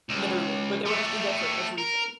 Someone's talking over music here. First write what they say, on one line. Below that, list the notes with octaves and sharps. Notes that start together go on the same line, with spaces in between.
Literally, but they would have did that for everything.
C#2
A3 G4
A#4